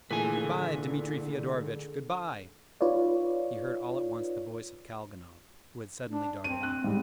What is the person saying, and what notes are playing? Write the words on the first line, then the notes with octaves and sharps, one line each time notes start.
"Good-by, Dmitri Fyodorovitch, good-by!" he heard all at once the voice of Kalganov, who had suddenly darted out.
A#2 D3 E3 A3 G#4 A4 B4 G#5
D#4 F4 B4 C#5 D5
D4
C4 D#7
F#6
G#2 G3 C4